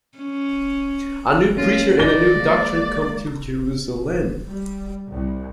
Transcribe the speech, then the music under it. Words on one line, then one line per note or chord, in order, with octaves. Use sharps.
A new preacher and a new doctrine come to Jerusalem.
C#4
G#3 A#3 C#4 F4
D#4 B4 D5 A#6 G7
G#3 A#3
G3
C2